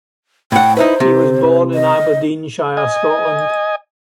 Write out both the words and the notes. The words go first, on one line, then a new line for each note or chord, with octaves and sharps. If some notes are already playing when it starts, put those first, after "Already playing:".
He was born in Aberdeenshire, Scotland.
A2 F#5 G5
D#4 E4 B4 C5
C3
D#5
D#5 G#5